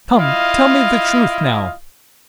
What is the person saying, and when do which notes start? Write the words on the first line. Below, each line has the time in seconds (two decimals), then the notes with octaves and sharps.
"Come--tell me the truth now."
0.16 E4 F4 D#5 F5